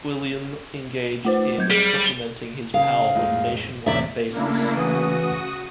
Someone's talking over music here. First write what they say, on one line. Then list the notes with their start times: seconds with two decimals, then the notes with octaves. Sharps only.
Uilleam engaged in supplementing his power on a nationwide basis.
1.25 A3 F4 C5
1.58 F#3 G6 G#6
1.71 G3 G#4
2.74 C#3 F5
3.15 F2 A2 G#3
3.86 E2 A2 C3 D5 E5
4.32 C#3 A3 A#3 D4 E4
4.75 E3 F#4 D#6